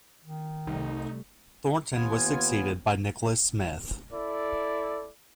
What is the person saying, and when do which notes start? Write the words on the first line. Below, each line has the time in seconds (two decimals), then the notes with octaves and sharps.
Thornton was succeeded by Nicholas Smith.
0.25 D#3
0.67 C2 C3 G3 A3 D#4
1.93 D#2 B3 F4 G#5
4.12 E4 A4 D5